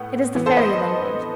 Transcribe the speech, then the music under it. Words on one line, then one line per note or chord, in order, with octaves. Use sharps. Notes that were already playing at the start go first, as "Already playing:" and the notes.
It is the fairy language.
Already playing: A2 B3 F#5
E3 B3
A4 C5
B4 D#5